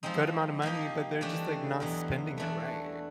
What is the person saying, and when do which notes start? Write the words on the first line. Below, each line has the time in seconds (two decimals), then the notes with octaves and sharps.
good amount of money, but they're just, like, not spending it right,
0.03 F3 G#3 C4 D#4
0.62 F3 A#3 D#4 G4
1.21 E3 A3 D4 G4
1.80 E2 B2 F#3
2.38 E3 A3 D4 F#4